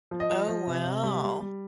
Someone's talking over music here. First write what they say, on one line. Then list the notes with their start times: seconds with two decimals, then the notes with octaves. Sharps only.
Oh, wow.
0.11 F3
0.20 D#5
0.30 F3
0.48 F3
0.67 C3
0.85 C3
1.03 G3
1.22 G3
1.40 G3